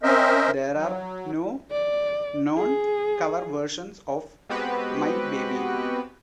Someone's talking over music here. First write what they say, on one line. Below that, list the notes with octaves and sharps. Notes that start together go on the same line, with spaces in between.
There are no known cover versions of "My Baby".
C4 C#4 A#4 C5 D#5 E5
F#3
D5
G#4
G#3 B3 C4 F#4 G4 B4